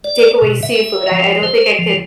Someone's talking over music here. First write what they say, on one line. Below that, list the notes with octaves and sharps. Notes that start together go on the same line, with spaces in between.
take away seafood, I I don't think I could
D5
B2
E5
F3
C5
F3